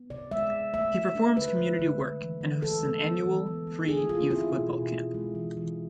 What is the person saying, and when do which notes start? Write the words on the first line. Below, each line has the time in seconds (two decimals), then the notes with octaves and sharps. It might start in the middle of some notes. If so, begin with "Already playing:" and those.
He performs community work and hosts an annual free youth football camp.
Already playing: B3
0.10 C3 D5
0.31 G#3 E5
0.52 C3
0.74 A3 E5
0.95 A3
1.15 D4
1.36 D3 B4
1.57 G#3
1.79 D3
1.99 A3
2.21 E3
2.41 E3
2.62 D3 A4
2.83 G#3
3.04 B3
3.26 E3
3.46 B3
3.67 B3
3.88 E4 G#4
4.09 C3 F4
4.30 C4 E4
4.52 B2
4.73 B2
4.94 B2
5.14 G#3
5.35 E3
5.57 E3